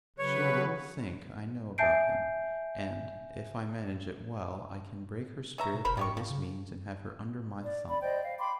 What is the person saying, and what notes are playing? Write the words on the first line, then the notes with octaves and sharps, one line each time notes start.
'She'll little think I know about him; and, if I manage it well, I can break her spirit by this means and have her under my thumb.
C#3 F#3 B4 C#5
E5 G#5 A5 G6 C7 D7
C#4 E5 A#5
B2
F1 A#4 C5 B5
G#2 C3 G4 C#6
F3
C#3
D5
D5 B5
C5 D5 D#5 G5
F5
G5 B5 C6 D6